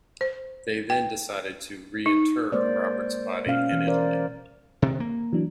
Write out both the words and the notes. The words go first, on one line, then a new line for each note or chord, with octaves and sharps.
They then decided to re-inter Robert's body in Italy.
C5
G5
D#4
G#3 A#3 C5 D5
B2 C#4 F5
E3
A#4 C5 D5
C3 D#3
A#3
E3 F#3 D4